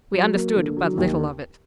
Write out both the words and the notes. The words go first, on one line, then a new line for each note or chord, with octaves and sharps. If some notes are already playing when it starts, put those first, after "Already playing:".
We understood but little of it.
F#3
A#3
D3
F#3
D#2